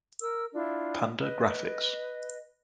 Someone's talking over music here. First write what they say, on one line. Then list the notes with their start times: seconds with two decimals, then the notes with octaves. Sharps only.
Panda Graphics.
0.22 A#4 E6
0.53 D4 E4 F4
1.21 B4 D#5